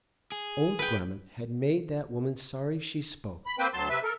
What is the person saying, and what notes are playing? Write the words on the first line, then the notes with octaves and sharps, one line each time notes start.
Old Grammont had made that woman sorry she spoke.
G#4
B4 G5
B5
A#3 C4 B4 C5 G5
D2 F#3 A5 C6
C3 B4 E5
A4 A#4